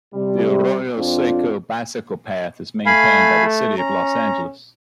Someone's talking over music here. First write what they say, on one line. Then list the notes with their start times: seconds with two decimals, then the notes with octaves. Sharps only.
The Arroyo Seco Bicycle Path is maintained by City of Los Angeles.
0.14 C3 G3
0.97 F2 C4 D4 F4
2.86 A3 F5 G#5 B5
3.78 C#4 A#5